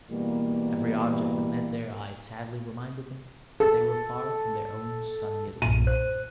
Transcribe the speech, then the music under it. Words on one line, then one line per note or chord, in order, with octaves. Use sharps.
Every object that met their eye sadly reminded them that they were far from their own sunny Italy.
B2 E3 G3 A#3
A4
B1 G2 A#2 D#7
C5 F#6